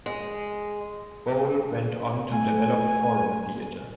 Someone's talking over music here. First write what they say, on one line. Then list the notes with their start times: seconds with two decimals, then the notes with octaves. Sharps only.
Boal went on to develop forum theater.
0.06 G#3
2.31 A3 G#5